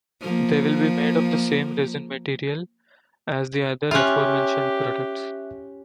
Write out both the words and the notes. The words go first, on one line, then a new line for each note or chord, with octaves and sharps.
They will be made of the same resin material as the other aforementioned products.
F3 A#3
C#4 F4 G4 E5 F#6